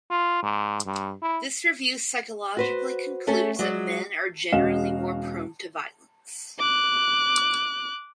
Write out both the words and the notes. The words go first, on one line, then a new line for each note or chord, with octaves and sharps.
This review psychologically concludes that men are generally more prone to violence.
F4
G#2
G2
E4
F#4 B4 C5
A3 C#4 A4
F#3 G#3 D5
E1 C#4 F#4 D#5 F5 E7
D6 F#6